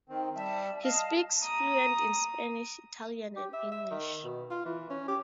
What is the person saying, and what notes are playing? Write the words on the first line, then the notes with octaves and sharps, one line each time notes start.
He speaks fluent Spanish, Italian, and English.
D#3 C4
G3 E5 A5
D#5 F5 A5
A#5 D#6
G4
E5
E5
D#3
B2
F4
E3
C#4
G4